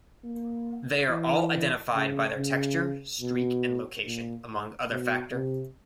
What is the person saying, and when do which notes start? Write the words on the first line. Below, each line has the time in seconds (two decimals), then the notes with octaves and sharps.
They are all identified by their texture, streak, and location, among other factor.
0.24 A#3
1.09 E3
1.94 C#3
2.36 C#3
3.21 B2
4.05 A#2
4.90 B2
5.33 C3